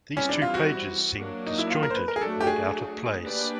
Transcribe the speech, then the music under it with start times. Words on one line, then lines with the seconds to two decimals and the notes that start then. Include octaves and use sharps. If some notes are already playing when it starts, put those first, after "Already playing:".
These two pages seem disjointed and out of place.
0.16 E3 G3 C4 C#4 E4
0.29 D4
0.42 F4
0.54 F#4
1.18 F#3 A#3 D4
1.46 D#4
1.58 E4
1.70 F4
1.83 A#4
1.90 C5
1.95 B4
2.08 A#4
2.16 G#4
2.21 F#3 A3 D4 F#4 A4
2.41 G4
2.47 G#4
3.23 A#3 D4 G4 B4 D5